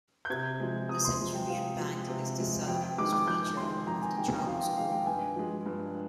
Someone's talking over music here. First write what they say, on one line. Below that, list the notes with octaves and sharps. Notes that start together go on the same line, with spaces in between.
The Centurion Bank is the southernmost feature of the Chagos group.
G6
C3 G#6
F3 G#3
C3 D#6
C6
F3 G#3
G5
C3 F5
F3 G#3
C3
F3 G#3
F2 G5
G5
D#3 G#3 D6
D6
F2 G6
D#3 G#3 C6
F2 A#5
G#5
D#3 G#3 G5
G5
F2 F5
G5
D#3 G#3 F5
G5
G2 G#5
F3 G#3
G2